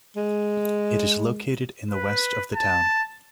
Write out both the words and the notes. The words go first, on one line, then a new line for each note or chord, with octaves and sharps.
It is located in the west of the town.
G#3
B4
A5